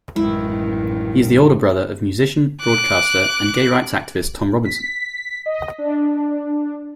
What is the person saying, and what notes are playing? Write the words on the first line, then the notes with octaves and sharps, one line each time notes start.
He is the older brother of musician, broadcaster and gay rights activist Tom Robinson.
A1 F#2 D#3 G#3 E4
D6 F#6
B6
D#5
D4